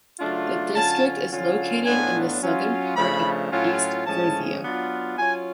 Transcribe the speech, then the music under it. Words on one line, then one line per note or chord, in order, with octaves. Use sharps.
The District is located in the southern part of East Frisia.
C#3 F#3 A3 D4 F4
D3 F#3 C#4 F4 A5
D3 F#3 C#4 F4
A2 F#3 B3 D4 F4 G#5
F#3 C#4 F4
C#3 F3 A3 D4 B5
A2 F#3 C#4 F4
A2 F3 G#3 C#4 A5
F#3 B3 D4 F4
F#3 C#4 F4 G#5